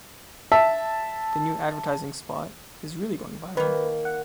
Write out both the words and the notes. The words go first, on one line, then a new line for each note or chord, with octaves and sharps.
The new advertising spot is going really viral.
E5 A5
D#3 A#3 B4
F#5